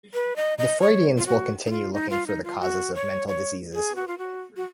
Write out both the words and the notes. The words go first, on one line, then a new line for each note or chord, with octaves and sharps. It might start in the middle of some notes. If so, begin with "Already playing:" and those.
The Freudians will continue looking for the causes of mental diseases.
B4
D#5
D#5
C#5
F4
F#4
D#4
F4
D#4
F4
D#4
F4
F#4
C#5
C#5
G#4
F#4
F4
F#4
F#4